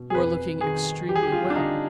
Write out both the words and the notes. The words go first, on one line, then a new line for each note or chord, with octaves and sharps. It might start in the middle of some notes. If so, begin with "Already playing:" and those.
You are looking extremely well.
Already playing: B2
G#4
F2 B4
D#3 G#4
G3 G4
G#4
G4
F4
D4
D3 D#4